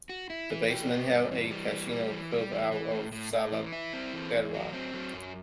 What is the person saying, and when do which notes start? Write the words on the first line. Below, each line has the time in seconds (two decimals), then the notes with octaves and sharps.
The basement held a casino, carved out of solid bedrock.
0.09 F#4
0.30 E4
0.50 E3
0.70 G4
0.91 B3
1.11 G2
1.31 E3
1.51 G3
1.71 E3
1.91 G3
2.11 E3
2.31 G3
2.52 E3
2.72 E3
2.91 A2
3.12 A2
3.32 A2
3.52 E3
3.73 E4
3.93 C4
4.13 E3
4.33 E2
4.54 F#3
4.73 C4
4.94 F#3
5.14 F#2